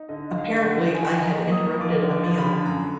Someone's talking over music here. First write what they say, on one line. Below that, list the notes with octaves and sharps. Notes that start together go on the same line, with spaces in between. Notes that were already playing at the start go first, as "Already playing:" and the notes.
Apparently I had interrupted a meal.
Already playing: D#4
D3 D#5
D#4
F5
D3
F#5
F3
D#4 G#5
F3
A#5
A#3
D#6
D#4
F3 D6
D3
D6
F3
B5
D3
F#2 A#5